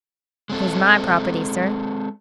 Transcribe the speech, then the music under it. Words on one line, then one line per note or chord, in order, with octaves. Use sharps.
"He's my property, sir."
G#3 C4 A4